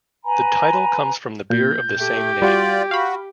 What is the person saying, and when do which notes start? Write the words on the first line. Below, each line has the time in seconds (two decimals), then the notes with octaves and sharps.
The title comes from the beer of the same name.
0.24 B4 G#5 A#5 B5
1.50 A#2 G6
1.98 A3 G4
2.42 G3 F4 F#4 D5
2.91 F#4 F5 B5